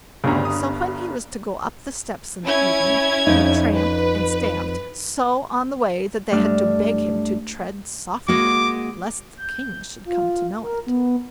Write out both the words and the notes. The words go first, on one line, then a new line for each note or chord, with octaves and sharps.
So, when he was to go up the steps in the evening, he tramped and stamped so on the way, that they had to beg him to tread softly lest the King should come to know it.
G1 D2 G2 C#3 A#5
D#6
C#4 E4 G#6
F2 D#4
B4
G2 A3 D4 F6
G#3 A#3 F#4 D6
G6
F4
A#4
B3